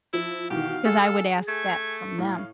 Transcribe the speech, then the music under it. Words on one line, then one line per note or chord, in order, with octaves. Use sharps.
'Cause I would ask that from them.
F3 E4
B2 D#3 E3 G4 F5
G#4 A4
A3 G#6
A2 F5